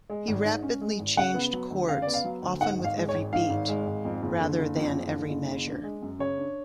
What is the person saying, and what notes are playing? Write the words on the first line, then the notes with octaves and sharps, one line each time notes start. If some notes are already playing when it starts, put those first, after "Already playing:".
He rapidly changed chords, often with every beat, rather than every measure.
G#3
G#1
G#2
C#4
G#3
G#1
C#3 F#5
B3
F#3
D2
C#3 F5
B3 D5
F5
F#3
D2
G#2 F#5
G#1
F5
G#3
C#5
G#1
G#2 F5
G#1
G#3
G#1
F2
F#1
D3
F#1
F2
F#1
D3
F#1
C#3
D4
G#3
F#2
C#3 C#5
D4